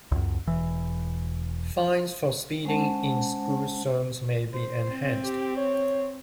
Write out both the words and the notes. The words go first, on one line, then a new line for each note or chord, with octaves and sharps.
Fines for speeding in school zones may be enhanced.
C#2 F#2
E1 E3
G#3 C#4 C5 F#5 A5
C5
C4
G4
C#5